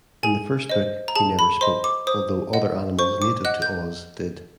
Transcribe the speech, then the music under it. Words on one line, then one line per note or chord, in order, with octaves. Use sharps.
In the first book, he never spoke, although other animals, native to Oz, did.
G#4 G#5
C5 D#5
A#5
G#4 A5
B5
C5 D#5 C6
D6
C5 D#6
D#5 F#5
C5 C#6
D6
D#5 F#5 F#6
G6